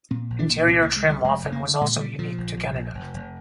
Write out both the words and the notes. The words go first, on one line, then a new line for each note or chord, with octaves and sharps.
Interior trim often was also unique to Canada.
A#2 C4
A#1
D4
A#2
C2 C4
A#3
C2
G#3
C2
G3
F1 G#3
F1
A#3
D3
A#2 G#3
A#2 G3
A#2 F3
A#1
A#1
A#1
F1
F1